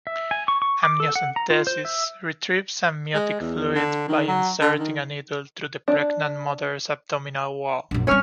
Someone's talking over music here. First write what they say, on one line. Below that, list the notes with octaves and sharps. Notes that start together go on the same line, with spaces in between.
Amniocentesis retrieves amniotic fluid by inserting a needle through the pregnant mother's abdominal wall.
E5
G#5
C#6
C#6
D6
A4
F#5
A#5
F4
C5
E5
G#3
E2
D3
D#3
F#3
D3
D#3
D4
A#1 F#2
G3 C4 C#4 C#5 F6